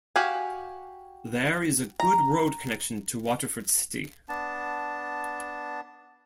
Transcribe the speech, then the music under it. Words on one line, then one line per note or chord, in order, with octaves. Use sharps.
There is a good road connection to Waterford City.
F#4 G4 F5 G#5
A#5
B3 D4 A5